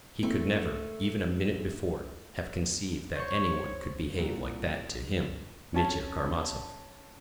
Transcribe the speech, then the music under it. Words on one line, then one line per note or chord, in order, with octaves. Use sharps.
He could never, even a minute before, have conceived that any one could behave like that to him, Mitya Karamazov.
A3 A#3 C4 E4
C5 C#5 C#6
C2 A#2
C#4 A5